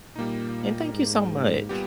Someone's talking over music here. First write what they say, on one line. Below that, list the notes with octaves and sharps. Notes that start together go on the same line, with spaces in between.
and thank you so much.
A#2 G3 A#3 D#4
G#2
A#2 G3 B3 G4